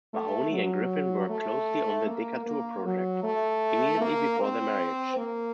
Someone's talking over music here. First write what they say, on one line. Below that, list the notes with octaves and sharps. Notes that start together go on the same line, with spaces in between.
Mahony and Griffin worked closely on the Decatur project immediately before their marriage.
A3
F#3
A3
A#3
A#3
F#3
A3
A#3
C4
A#3